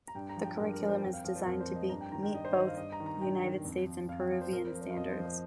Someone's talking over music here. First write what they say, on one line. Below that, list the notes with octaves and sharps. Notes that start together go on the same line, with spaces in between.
The curriculum is designed to meet both United States and Peruvian standards.
A#5
G2 G5
A#5
F3
G5
G2 A#4
A#4
F3
C5
F2 G5
F5
F3 F5
C5
F2 A#4
C5
F3
D#5
G2 A#5
G5
D#3 A#5
G5
G2 D#5
C5
D#3 D#5
F5
G2 D#5
A#5
D#3
A#5
G2 G5
D#3
F2
F3
F2 F5
G5
F3 F5
C5
F2 A#4
C5
F3
C5
F5
F2 D#5
C5
F3
C5